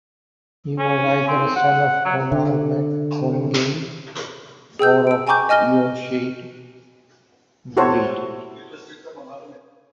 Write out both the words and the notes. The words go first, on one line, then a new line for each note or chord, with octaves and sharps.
He was either a son of Conall mac Comgaill or of Eochaid Buide.
C#4
C4
F#5
F#3
D3
G#4 G5 E6 G6
E6 D7
G5 G#5 A#5 C#6 D6 G6
D#5 G#5 F6 A#6 G7
E4 F#4 G4 A4 C5 C#5